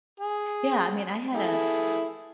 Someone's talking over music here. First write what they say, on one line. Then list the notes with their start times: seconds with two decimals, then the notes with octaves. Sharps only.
yeah, I mean, I had a
0.20 G#4
1.35 E4 G#4 A4